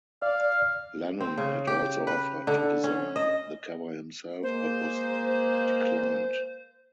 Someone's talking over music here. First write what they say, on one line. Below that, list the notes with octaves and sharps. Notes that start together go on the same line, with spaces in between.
Lennon had also offered to design the cover himself, but was declined.
D5 F5
C4
C#3
G4
B4
D3
C#4
D#5
G#3 A#3 C5